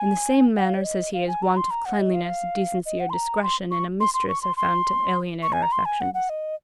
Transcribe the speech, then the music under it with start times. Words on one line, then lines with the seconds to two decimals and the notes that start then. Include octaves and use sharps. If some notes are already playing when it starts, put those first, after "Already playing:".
In the same manner, says he, as want of cleanliness, decency, or discretion in a mistress are found to alienate our affections.
Already playing: G#5
0.57 F#5
0.65 F5
0.75 C#5
0.84 D#5
1.14 F5
1.28 G#5
1.42 A#5
1.57 C6
1.70 A#5
1.85 F#5
1.99 D#5
2.14 F5
2.85 D#5
3.00 F#5
3.10 C6
3.13 A#5
3.43 C6
3.71 C#6
4.00 C6
4.14 C6
4.28 C#6
4.42 C6
4.57 C6
5.42 C#6
5.53 G#5
5.62 A#5
5.72 C6
5.85 G#5
6.01 F#5
6.14 F#5
6.29 D#5